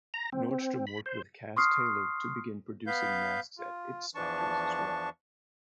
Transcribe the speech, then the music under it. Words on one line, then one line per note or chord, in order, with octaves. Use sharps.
Nordstrom worked with Kaas Tailored to begin producing masks at its factories as well.
A#5
C4
C4
B5
C5
C6 C#6 D#6 F6 C7
B3 B4 F5 G6
F4
E2 E3 F3 D4 A5 C#6